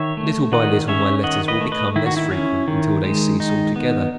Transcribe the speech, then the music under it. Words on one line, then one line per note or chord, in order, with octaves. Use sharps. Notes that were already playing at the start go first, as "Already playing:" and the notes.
Little by little my letters will become less frequent until they cease altogether.
Already playing: D#3 C#5 E5
A3
D#3 D#5 F#5
C#4 C#5 E5
D#3 D#5 F#5
B4 D#5
A3
B4 D#5
D#3 E4
F#4
E4
C#4
D#3
G#3
D#3 D#4
B3